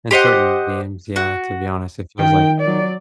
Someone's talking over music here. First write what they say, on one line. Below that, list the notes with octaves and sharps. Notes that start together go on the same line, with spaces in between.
and certain games, yeah, to be honest, it feels like
G4 C5 D#5 F#5
F#4
D#3 G5
F#3 D5